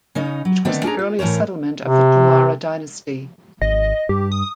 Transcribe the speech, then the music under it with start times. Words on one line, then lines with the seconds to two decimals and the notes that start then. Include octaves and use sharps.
It was the earliest settlement of the Tomara dynasty.
0.15 C#3 C#4 D#4 D#5
0.45 F#3
0.65 D3 D#3 A3 B3 C4 D5
0.83 C#4 D4 G#4 A#5
0.99 F4
1.19 A2 E3 A#4 C5 C#5
1.83 C3
3.62 G#1 D#5
4.09 G2 G4
4.32 D#6